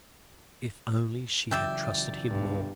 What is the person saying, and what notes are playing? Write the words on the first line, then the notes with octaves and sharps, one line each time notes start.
If only she had trusted him more!
C#3 E3 F#3 D5 E5 G5
C2 G2 B2 D3